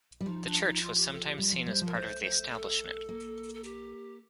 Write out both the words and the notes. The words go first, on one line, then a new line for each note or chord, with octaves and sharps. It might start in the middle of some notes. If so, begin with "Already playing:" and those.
The church was sometimes seen as part of the establishment.
G3
F3 D#4
D4
D#4
F4
G4
A4
G4
G3
F3
G3 C5
F3 A#4
A3 C5
C5
A4
A#3
A4
G4